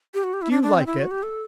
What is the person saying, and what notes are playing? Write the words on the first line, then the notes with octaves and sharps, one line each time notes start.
"Do you like it?"
G4
F#4
G4
E4
D4
D4
C4
E4
F#4
G4
A4